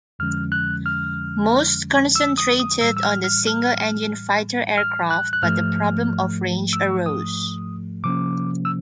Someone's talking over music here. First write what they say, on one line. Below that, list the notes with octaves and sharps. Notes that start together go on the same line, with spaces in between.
Most concentrated on the single-engine fighter aircraft, but the problem of range arose.
F2 D3 F3 G#3 C#4 F6
F#6
F6
E6
D#6
D#6
A2 E3 G3 E6
E6
F6
F6
F6
F6
F#6
F#6
G#2 F3 A3 F6
E6
D#6
C3 F3 A#3 C#4 D6
E6